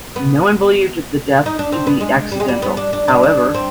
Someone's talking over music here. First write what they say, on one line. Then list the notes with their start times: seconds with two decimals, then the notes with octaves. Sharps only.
No one believed the death to be accidental, however.
0.16 B3
1.46 D#4
1.59 D4
1.72 C4
1.87 B3
2.00 G#3
2.32 G3
2.40 G#3
2.48 G3
2.62 B3
2.77 D4
2.93 D4
3.08 D4
3.23 D4
3.54 C4